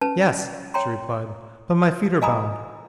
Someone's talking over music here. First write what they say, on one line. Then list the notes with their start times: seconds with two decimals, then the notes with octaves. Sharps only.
"Yes," she replied, "but my feet are bound."
0.01 C#4 B4 A5
0.74 C#5 G5 A#5 C6
2.21 D#5 F5 G#5 A#5 B5 D#6